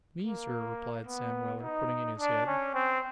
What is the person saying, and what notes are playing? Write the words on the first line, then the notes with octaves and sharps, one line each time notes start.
'Me, Sir,' replied Sam Weller, putting in his head.
A#3
B3
D#4
D4
C#4
C4